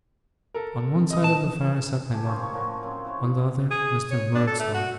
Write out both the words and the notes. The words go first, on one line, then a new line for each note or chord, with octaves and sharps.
On one side of the fire, sat my mother; on the other, Mr. Murdstone.
A4 A#4
C4
D#5 D#6
A#2 A5
G4 G#5 A5
A#3 C#4 D#4 C5
F3 C#5 C#6
D3 F3 A#3 F#4
F#2 C4 C6
E4 C5 C#5
G#4
C#5
D4
A4
A3
F#4